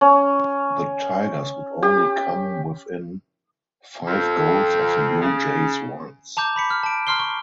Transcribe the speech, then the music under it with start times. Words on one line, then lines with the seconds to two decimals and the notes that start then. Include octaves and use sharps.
The Tigers would only come within five goals of the Blue Jays once.
0.01 C#4
1.83 G4
4.08 F2
5.22 C#3
6.37 A5 A#5 D6 G6
6.56 B5 B6 C#7
6.70 F6
6.83 A5 D7
7.07 A#5 C6 F6 C7 G7
7.20 C#6